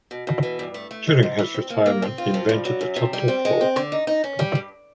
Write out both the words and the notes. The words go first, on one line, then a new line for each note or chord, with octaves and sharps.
During his retirement he invented the "Turtle Clock".
B2
B2
E3
G2
A3
A3
G#2
G#2
E3
C4
A#3
A#3
C4
F4
F3
G2
F#3
F#2
C3
G3
C4
G#3
C4
D3
D#4
D#4
C#4
G3
G2